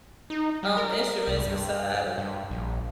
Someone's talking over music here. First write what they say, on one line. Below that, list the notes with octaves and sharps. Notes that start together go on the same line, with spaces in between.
um, instruments beside
D#4
G3
A#4
C2
G2
G2
A#1